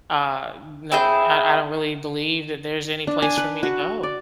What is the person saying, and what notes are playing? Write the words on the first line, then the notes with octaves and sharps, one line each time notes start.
Uh, no, I I don't really believe that there's any place for me to go,
C4 E4 G#4 G6
D4
G#5
B4
F#4
D5